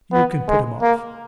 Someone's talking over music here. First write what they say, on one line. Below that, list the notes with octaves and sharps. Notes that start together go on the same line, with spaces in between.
'You can put him off.
B3
G#3
A#3